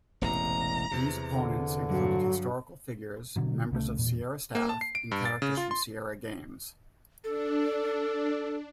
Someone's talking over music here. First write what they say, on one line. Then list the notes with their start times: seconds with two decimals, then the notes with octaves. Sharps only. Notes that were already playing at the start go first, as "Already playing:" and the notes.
These opponents included historical figures, members of Sierra staff, and characters from Sierra games.
0.21 E1 A1 C3 A#5
0.91 E2 C3
1.28 D3
1.88 G2 F#3
3.36 B2 D3 F#3
3.71 C2 C#3 F#3 A3
3.97 E1 A#2
4.55 A#3
4.69 A5
4.81 C7
4.95 D7
5.11 G2
5.25 A6
5.42 C#3
5.57 F4
5.71 C6
7.24 D4 A4